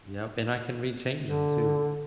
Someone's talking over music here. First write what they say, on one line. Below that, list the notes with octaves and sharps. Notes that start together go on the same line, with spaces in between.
Yep, and I can rechange ‘em too.
D3